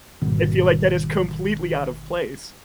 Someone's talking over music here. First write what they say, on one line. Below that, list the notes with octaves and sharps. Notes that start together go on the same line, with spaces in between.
I feel like that is completely out of place.
G#1 B2 D#3 G3